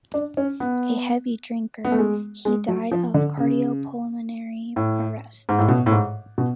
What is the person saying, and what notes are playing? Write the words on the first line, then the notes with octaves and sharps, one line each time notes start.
A heavy drinker, he died of cardiopulmonary arrest.
D4
C#4
B3
B3
A3
G#3
G#3
F#3
F3
D3
C#3
A2
G#2
A2
B2
A2
G#2
B2